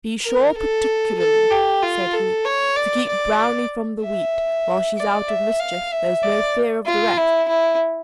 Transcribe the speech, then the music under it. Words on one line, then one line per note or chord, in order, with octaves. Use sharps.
"Be sure, particularly," said he, "to keep Browney from the wheat; while she's out of mischief there's no fear of the rest."
A#4
A4
A4
G4
F4
A4
C#5
D5
D5
E5
D5
E5
F5
E5
D5
F4
E4
E4